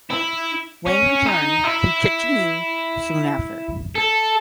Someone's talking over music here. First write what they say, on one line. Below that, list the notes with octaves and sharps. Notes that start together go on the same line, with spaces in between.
Wang returned to Jicheng soon after.
E4
C#4
D#4
E4
A4